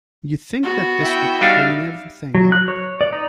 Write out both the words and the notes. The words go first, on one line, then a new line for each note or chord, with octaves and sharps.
You think that this would clean everything up?
B3 F#4
E4 G5
G3 D4 D#4 E5 F5
F#3
F#6
C#5
D5
D#4